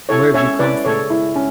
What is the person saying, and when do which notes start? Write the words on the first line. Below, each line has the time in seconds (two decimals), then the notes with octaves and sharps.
Where have you come from?
0.09 E4 A4 C#5
0.34 C#4 C#5 E5
0.59 E4 B4 D5
0.85 C#3 A4 C#5
1.10 E4
1.36 C#4